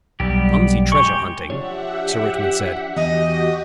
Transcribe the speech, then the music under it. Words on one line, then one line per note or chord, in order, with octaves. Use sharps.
"Clumsy treasure hunting," Sir Richmond said.
B1 G3 B3 G4
G#3 G4 C#6
F3 D4 G4 C#5 E5 F#5
E2 F#4 G4 D#5